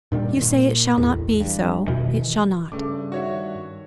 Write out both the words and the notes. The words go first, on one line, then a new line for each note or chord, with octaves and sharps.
If you say it shall not be so, it shall not.
G2 A#2 D#3 G3
A#2
A1 E2 G#2
G2
F2 B2 D#3 E3
G2 C#3 A3 D6
D#3 F#4 C#5 E5